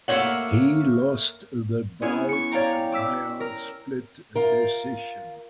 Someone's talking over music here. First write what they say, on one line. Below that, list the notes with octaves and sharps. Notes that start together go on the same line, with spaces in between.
He lost the bout via split decision.
A3 A#3 F4 G4 C#5 F#5
B3 C#4 E4 G#4
C#6 C#7
C#5 D5 F5 G5 A#5
D6 E6 B6
A#4
F4 A#4